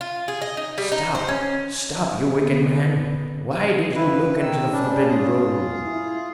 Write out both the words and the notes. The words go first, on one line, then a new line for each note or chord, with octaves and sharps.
"Stop! stop, you wicked man, why did you look into the forbidden room?"
F4
G#4
D#5
D#4
G3
D#4
C5
C#4
D3 B3
F2 E4 B4
D#3 E6
G3 C#4 D4
F4 G#4
E4